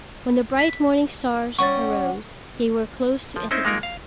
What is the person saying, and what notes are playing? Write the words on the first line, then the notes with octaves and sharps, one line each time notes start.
When the bright morning stars arose, they were close to Ithaca.
B6
G3 C#4 F#5 C#6 A6
F3
C4 C#4 D#4 E4 C5
G#3 A#3 D#4 F4 A#4
F5